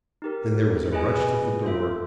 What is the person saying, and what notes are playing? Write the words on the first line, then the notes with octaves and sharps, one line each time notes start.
Then there was a rush to the door.
D#4 G4 A#4
E4 G#4 B4 D#5 G#5
F4 A4 C5 E5